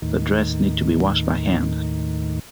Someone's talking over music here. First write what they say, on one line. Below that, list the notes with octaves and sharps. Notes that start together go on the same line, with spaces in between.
The dress needs to be washed by hand.
D#2 A2 D#3